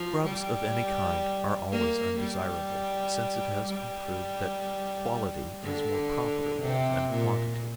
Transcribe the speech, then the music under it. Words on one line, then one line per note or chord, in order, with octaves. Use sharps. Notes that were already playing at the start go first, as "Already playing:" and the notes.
Scrubs of any kind are always undesirable, since it has been proved that quality is more profitable than quantity.
Already playing: F3
G3
A#3
G3
G3
D3
C3
A#2